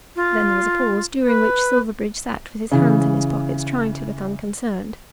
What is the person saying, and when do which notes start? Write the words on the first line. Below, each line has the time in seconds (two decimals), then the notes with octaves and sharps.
Then there was a pause, during which Silverbridge sat with his hands in his pockets trying to look unconcerned.
0.16 F4
1.26 B4
2.72 C#3 E3